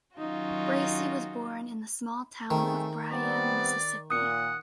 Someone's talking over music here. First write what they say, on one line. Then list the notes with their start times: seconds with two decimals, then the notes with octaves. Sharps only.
Bracey was born in the small town of Byram, Mississippi.
0.17 D#3 F#3 C#4 D#4 F4 F#4
2.51 D#3 A3 C4 G#4
3.12 G3 B3 C4 D5
4.11 A#2 F#5 D#6 C#7